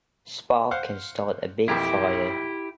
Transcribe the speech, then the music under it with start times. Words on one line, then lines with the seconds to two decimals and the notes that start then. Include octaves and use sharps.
Spark can start a big fire.
0.71 C5 F5 F#5
1.68 B1 F2 A#3 E4 G4